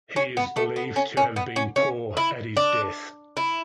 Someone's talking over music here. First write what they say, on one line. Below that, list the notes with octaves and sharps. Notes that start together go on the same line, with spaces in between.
He is believed to have been poor at his death.
C#4
B3
A3
B3
C#4
C#4
B3
C#4
C#4
E4
D4
E4